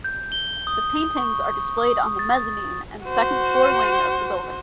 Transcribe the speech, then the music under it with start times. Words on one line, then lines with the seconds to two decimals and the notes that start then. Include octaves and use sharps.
The paintings are displayed on the mezzanine and second floor wing of the building.
0.04 G6
0.32 G7
0.67 D#6
1.17 C#6
1.78 D#6
2.19 A6
3.04 F#4 C5